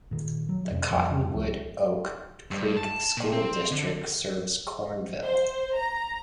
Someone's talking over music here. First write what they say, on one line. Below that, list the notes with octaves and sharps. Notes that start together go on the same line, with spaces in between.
The Cottonwood-Oak Creek School District serves Cornville.
A#2 D#3
F#3
D#1 F2 C3 C#4
F2 F3 G3
C#2 F3 G3 C4
G2
A5
A#2
C4
D3
C5
A#5